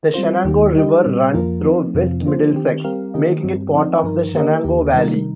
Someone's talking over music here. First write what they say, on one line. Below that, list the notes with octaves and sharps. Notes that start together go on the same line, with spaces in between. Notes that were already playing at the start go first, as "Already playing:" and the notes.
The Shenango River runs through West Middlesex, making it part of the Shenango Valley.
G3 C4 F4 C5
D#2 D#3 A#3 G4
G3 D#4 G4 D#5
A#2 G3 C4
F2 F3 A#3 F4 A#4
F3 C4 D#4
F2 C3 F3 C4 F4
F3 A#3 F4 C5
D#3 C4 G4
G3 C4 G4 A#4 F5
D#3 A#3 G4 A#4 D#5
G2 G3 C4
F3 C4 D#4
G2 F3 D#4 A#4
D#3 A#3 G4 A#4 D#5
D#2 D#3 A#3 G4
C3 D#3 G3 D#4 A#4